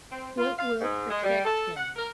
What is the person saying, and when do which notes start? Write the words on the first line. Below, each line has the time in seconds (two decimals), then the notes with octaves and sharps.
What will protect him?
0.11 C4
0.38 F4
0.58 F5
0.80 G#2
1.10 G#3
1.23 G3
1.45 A4
1.76 F#5
1.96 A#4